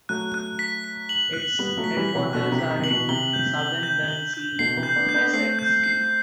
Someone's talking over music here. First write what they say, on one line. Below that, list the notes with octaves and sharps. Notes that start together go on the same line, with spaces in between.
Its headquarters are in Southend-on-Sea, Essex.
F#3 A3 F#6
F#6
B6
B6
F#7
F#6
G3 B3 F#7
F#3 A3
B6
E3 G3
B6
C3 E3
B2 D3 F#6
C3
B6
C3
F#7
B2
C3 G7
G6
G7
G6
G7
G6
B2 D3 C7
C3 E3
G6
B3 D4
G6
B3 D4
A3 C4 C7
G6
C7